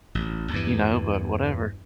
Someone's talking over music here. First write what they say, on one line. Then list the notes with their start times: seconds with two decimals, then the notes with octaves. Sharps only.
you know, but whatever.
0.15 A1
0.51 E2 G2 E3